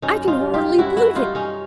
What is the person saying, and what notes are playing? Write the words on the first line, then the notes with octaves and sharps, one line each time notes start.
I can hardly believe it!
F#2 C#4 D#4
D#4 F4
G3
F4 G4
F#2 E4 F#4
E4 F#4
G3 D#4 F4
C#4 D#4